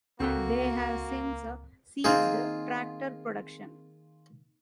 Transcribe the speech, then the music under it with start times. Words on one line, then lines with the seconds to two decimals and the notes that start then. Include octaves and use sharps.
They have since ceased tractor production.
0.20 C#2 A#3 C4 F#4 A4 G5
2.04 D#3 A#3 C4 F4 G#4